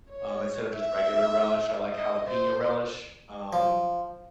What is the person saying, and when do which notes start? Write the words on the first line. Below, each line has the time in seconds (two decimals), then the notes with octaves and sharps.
um, instead of just regular relish- I like jalapeño relish- um,
0.11 C#5
0.75 E5
1.87 D#5 E5
2.28 C5
3.53 F3